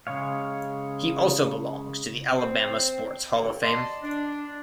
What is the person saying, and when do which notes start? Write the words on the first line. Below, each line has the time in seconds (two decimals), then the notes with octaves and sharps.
He also belongs to the Alabama Sports Hall of Fame.
0.07 C#3 G#3 C#5 F5
2.37 C4 C5
3.38 G2 D3 A#3
3.62 D5 D#5 A5 C6
4.02 D4